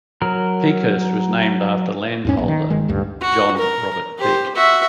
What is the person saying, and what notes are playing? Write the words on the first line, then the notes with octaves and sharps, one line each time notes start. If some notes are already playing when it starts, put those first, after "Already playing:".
Peakhurst was named after landholder John Robert Peake.
F#3 A#4
E2 G#2 C#4
A#1 B3
D#3
G1 D#3 G#3
A1 D2 G2
F#4
A#4
G4 C5
F#4 E5